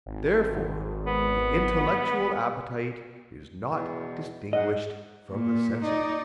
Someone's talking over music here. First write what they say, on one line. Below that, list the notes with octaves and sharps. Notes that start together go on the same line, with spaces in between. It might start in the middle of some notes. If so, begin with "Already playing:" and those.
Therefore the intellectual appetite is not distinguished from the sensitive.
G#1
B3
E2 B2
G#2 D#5 F#5
A#2
D#4 D5